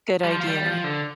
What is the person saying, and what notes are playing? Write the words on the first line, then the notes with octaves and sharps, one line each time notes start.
Good idea.
G3
F3
F3
G3
F3
D3